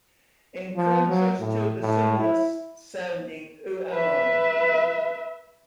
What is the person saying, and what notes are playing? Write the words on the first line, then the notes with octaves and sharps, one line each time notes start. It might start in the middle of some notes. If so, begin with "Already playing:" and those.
In contrast to the similar-sounding who am I?
F3
F#3
A2
A2
E4
B4 E5